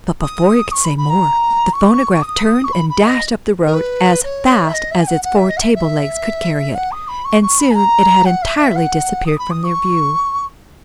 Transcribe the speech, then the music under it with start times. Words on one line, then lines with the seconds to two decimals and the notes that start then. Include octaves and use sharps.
But before he could say more the phonograph turned and dashed up the road as fast as its four table-legs could carry it, and soon it had entirely disappeared from their view.
0.21 D#6
0.72 C#6
0.85 B5
0.98 B5
1.10 A#5
1.73 C#6
2.22 D#6
2.64 C#6
2.73 B5
2.90 B5
3.06 D#5
3.66 A#4
3.74 B4
4.23 C#5
4.65 E5
4.73 D#5
4.91 E5
5.00 G#5
5.07 F#5
5.24 F#5
5.37 E5
5.49 D#5
5.57 F#5
5.62 E5
5.75 E5
6.75 F#5
6.92 D#6
7.08 B5
7.25 C#6
7.42 C#6
7.59 B5
7.71 G#5
7.75 A#5
8.25 F#5
8.43 E5
8.59 E5
8.76 F#5
9.26 D#6
9.38 B5
9.51 D#6
9.64 C#6